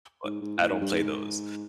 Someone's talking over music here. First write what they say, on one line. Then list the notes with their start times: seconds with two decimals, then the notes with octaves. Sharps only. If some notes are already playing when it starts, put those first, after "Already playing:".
but I don't play those,
0.24 G#2
0.41 G#2
0.58 A2
0.70 G#2
0.81 G2
0.93 G#2